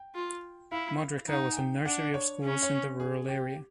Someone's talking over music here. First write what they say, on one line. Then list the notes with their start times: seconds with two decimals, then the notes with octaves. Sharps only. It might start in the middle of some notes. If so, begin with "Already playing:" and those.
Modrica was a nursery of schools in the rural area.
Already playing: G5
0.15 F4
0.72 E4 F5
1.29 D#4 F#5
1.52 G#5
1.57 G5
1.85 D4 F#5
2.14 C#5
2.43 C#4
2.63 C#5
3.00 G#4
3.29 G4